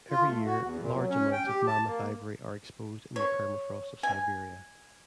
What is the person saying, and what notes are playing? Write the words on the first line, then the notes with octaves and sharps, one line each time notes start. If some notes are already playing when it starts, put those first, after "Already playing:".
Every year, large amounts of mammoth ivory are exposed in the permafrost of Siberia.
F4
A3
F#4
E2
A#2
F#3
C#4
G5
G4
A5
A#3
C#5
G#5